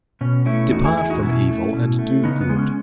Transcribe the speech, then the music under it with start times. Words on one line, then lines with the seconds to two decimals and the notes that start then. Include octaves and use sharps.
Depart from evil, and do good.
0.21 B2 C#4
0.46 A3 C#4 E4
0.72 E2 D#4 F#4
0.85 E4 G#4
0.97 E2 E4 G#4
1.10 D#4 F#4
1.23 B2 C#4 E4
1.48 A3
1.74 B2
1.99 A3
2.24 C#3 B3 D#4
2.41 B3
2.49 G#3
2.59 C#4